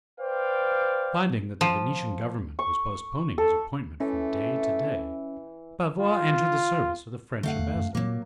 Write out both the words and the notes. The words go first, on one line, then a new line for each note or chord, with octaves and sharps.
Finding that the Venetian government was postponing his appointment from day to day, Bavois entered the service of the French ambassador.
B4 C5 D5 F5 G5
F3
C#6
A4
E3 A3 C#4
F4
D3 A3 F5 F#5
E2
F#2
A#2 F#3 A#3